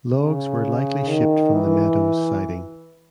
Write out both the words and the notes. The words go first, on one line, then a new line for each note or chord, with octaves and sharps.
Logs were likely shipped from the Meadows siding.
C#3
D#3
E3